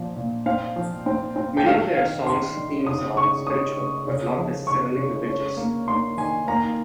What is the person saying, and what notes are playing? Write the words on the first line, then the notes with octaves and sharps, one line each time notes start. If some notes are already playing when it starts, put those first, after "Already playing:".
Many of their songs' themes are spiritual, but not necessarily religious.
Already playing: A#2 F3
A#2
C4 F5
F3
C4
C4
G5
D#3 F5
D#3 F5
D#3 C6
D#3
C#3 D#6
C#3 C#6
C#4 D#6
C#3
C#3
F3
C#3 C#6
C#3
C#4
A#3
A#3 C6
D#3 G#5
A#3 A#5